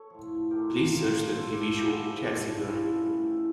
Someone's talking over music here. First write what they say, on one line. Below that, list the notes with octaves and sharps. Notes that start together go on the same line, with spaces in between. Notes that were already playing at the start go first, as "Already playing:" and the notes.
Please search the TV show Chelsea Girl.
Already playing: A4 C#5
A2 F3
A2 F3 G4 A#4
A#2 F3
A#2 F3 F4 A4
E4 G4
F4 A4
G2 D3 F3 E4 G4
G2 F3
G2 F3 C#4 E4
A2 E3
A2